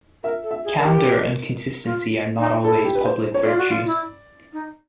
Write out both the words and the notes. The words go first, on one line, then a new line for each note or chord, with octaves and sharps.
Candor and consistency are not always public virtues.
A#4 E5
A4
E5
G#4
A#4
G4
F4
D#4
E4 A4
G4
B4
C5
C#5
F4 D5
F#4
F4
E4
D#4